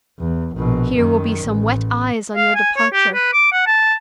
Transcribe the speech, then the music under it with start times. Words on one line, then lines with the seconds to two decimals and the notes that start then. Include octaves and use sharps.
Here will be some wet eyes on your departure.
0.19 E2
0.55 A#1 B2
0.95 F#2 D#3
1.43 A1
2.36 F5
2.55 G#5
2.77 C#5
2.93 G4
3.14 B4
3.34 D6
3.52 F#5
3.67 A5